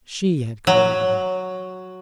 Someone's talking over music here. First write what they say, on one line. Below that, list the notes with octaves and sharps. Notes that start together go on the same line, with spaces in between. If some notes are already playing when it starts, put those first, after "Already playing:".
She had created him.
F#3